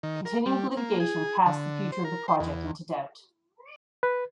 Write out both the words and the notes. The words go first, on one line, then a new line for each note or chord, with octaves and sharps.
Continuing litigation cast the future of the project into doubt.
D#3
A#4
G3
A#3
G#4
D3
C5
A#4
C5
E2
B4